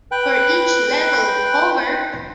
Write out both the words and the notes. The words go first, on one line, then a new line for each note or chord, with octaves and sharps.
For each level, Hover!
B4 G5 F#6